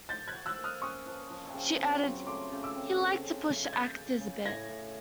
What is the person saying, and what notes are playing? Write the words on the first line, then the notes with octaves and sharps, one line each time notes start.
She added: "He liked to push actors a bit".
F3 G6 A6
F#6 G#6
F3
E6 F#6
A#3
D#6 F6
C#4 C#6 D#6
F3
F3
C#3
C4
F#3
A3 C6 D6
C#3
D6 E6
C4
C#3
C#3
F#3
G#6
A#3 G6 A6
C#3
C#3
A2 G#6 A#6
A2